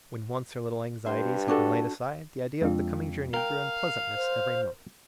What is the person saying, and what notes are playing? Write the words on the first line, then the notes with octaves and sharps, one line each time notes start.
When once her little anxieties had been laid aside, the idea of the coming journey grew in pleasantness every moment.
G2 C5
D4 F#4 A4
F2 G#3 D4 F4
A#4 F5 G5
C5